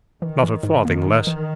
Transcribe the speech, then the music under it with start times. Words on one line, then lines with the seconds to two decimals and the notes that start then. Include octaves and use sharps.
'Not a farthing less.
0.22 D#3 E3
0.43 E3
0.63 G#2
0.85 D#3 A#3
1.06 G#2
1.27 E3